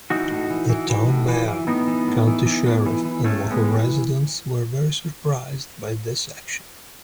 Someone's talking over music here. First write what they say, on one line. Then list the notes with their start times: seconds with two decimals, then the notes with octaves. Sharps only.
The town mayor, county sheriff, and local residents were very surprised by this action.
0.10 E3 D#4 F#4
0.30 A2
0.50 E3
0.69 E3
0.90 E3
1.08 A2
1.28 E3
1.48 E3
1.67 A2 B3 D#4
1.87 E3
2.07 A2
2.27 E3
2.46 E3
2.66 A2
2.86 E3
3.05 E3
3.25 A2 A3 C#4
3.44 A2
3.51 G#3 B3
3.64 E3